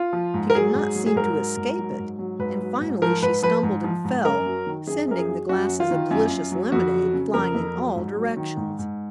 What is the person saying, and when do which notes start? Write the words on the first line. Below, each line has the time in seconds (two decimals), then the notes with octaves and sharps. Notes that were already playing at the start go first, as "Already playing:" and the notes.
She could not seem to escape it, and finally she stumbled and fell, sending the glasses of delicious lemonade flying in all directions.
Already playing: F4
0.13 F3
0.34 G#2
0.50 A#4
0.55 F#3 G#4
0.75 G#2
0.95 F#3
1.06 G#4
1.16 G#2 A#4
1.36 F#3
1.57 G#2
1.79 F#3
1.99 G#2
2.19 F#3
2.39 G#2 B4
2.60 F#3
2.81 G#2
3.02 F3 A#4
3.22 G#2 B4
3.42 F3 B4
3.63 G#2
3.84 F3
4.04 G#2
4.25 F#2 A#4
4.46 F#3
4.66 D#3
4.87 F#2 G#4
5.08 F#2 A#4
5.18 G#4
5.28 F#3
5.49 F#2 F#4
5.69 F#3
5.80 F4
5.90 D#3
6.11 F#2
6.31 F#2
6.51 F#3
6.72 F2 F#4
6.93 F#3
7.14 C#3
7.34 F2 A#4
7.55 F2
7.75 F#3
7.95 G#2
8.16 F#3
8.37 D#3
8.57 G#2
8.79 G#2